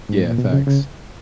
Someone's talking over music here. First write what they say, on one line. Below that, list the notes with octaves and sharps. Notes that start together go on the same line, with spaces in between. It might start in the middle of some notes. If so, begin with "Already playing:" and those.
Yeah, facts.
G#2
A#2
B2
C#3
C#3